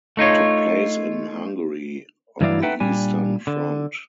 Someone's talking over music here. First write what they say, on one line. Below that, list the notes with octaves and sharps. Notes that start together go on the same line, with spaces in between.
It took place in Hungary on the Eastern Front.
A3 D#4 F4 C#5
G2 E3 F#3 E4 D5 F5
A3 D#4 B4 E5 F#5 G5
A#2 G3 D4 G#5
D3